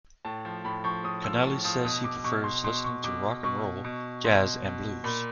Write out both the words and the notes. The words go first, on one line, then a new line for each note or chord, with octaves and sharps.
Connelly says he prefers listening to rock and roll, jazz, and blues.
A2 A5
F3
A2 B5
F3 C#6
A2 D#6
F3 E6
A2
F3 D#6
B2 D#6
D6
B2 C#6
C6
B2 C6
C#6
B2 D6
B2 C#6
B2
B2 C6
B2
A#2 B5